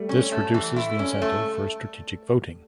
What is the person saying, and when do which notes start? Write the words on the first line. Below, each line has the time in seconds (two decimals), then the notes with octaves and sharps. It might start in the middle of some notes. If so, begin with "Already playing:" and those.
This reduces the incentive for strategic voting.
Already playing: G3 A3
0.09 C#4
0.32 A3
0.54 E3
0.76 E4
0.99 C#4
1.22 A3